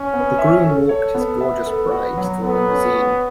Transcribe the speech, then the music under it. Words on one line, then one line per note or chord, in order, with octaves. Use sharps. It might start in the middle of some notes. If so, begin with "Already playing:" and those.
The groom walked his gorgeous bride to the limousine.
Already playing: C#4
B3
E5
A4
A4 C#5
B3
B3 E5
A4
F#4
F#3
B3 A4
C#4
F#4